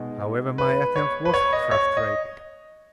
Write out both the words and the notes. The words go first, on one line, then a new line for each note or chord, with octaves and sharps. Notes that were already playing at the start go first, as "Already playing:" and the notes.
However, my attempt was frustrated.
Already playing: B2 G#3 D#4
B4
C#5
B4
C#5
D#5
C#5
D#5